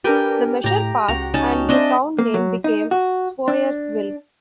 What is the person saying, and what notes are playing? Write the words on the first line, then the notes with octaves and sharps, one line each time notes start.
The measure passed and the town name became Swoyersville.
D4 G4 A#4 B4 G5 G#5
A2 G4 A#5
C#2 F#4 G5 A#5
C#4 D#4 A5
C4 D4 D#5 E5
A#3
F#3
D#4
F#4
D4